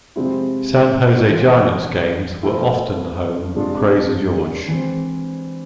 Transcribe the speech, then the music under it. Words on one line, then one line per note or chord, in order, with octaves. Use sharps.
San Jose Giants games were often the home of Krazy George.
C3 F3 G#3 C4 E4
E3 B3 F4
F3 A3 E4
C3 G#3 D4 F4
E3 G#3 C4